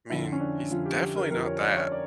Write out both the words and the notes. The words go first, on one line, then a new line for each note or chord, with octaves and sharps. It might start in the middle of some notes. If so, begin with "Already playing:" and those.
I mean, he's definitely not that.
F2 D3 F3 E4
C#4
D4
F2 D3 F3 F4
G4
G4
A#4
F2 D3 F3 A#4
C#5
D5
C#5
D5